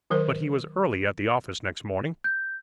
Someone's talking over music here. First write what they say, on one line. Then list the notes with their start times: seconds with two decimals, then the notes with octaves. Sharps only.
But he was early at the office next morning.
0.10 D#3 F#3 A#4 C5
2.24 G6